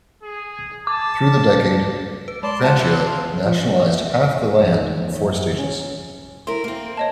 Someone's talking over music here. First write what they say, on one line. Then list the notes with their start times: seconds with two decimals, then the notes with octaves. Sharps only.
Through the decade, Francia nationalised half the land in four stages.
0.23 G#4
0.87 A5 D6
2.28 B4
2.43 G#3 D5 A5 C6
2.64 F4 F#5 A5
2.80 C6 E6 F#6
3.07 F5 C6
3.45 F3
3.60 C#4
3.86 E5
4.26 A2
4.42 G#4
4.60 F2
4.76 D#4
5.20 F#2
5.58 C#4
6.47 E4 A#4 C6
6.64 A#3 C4
6.97 C#5 D#5 A5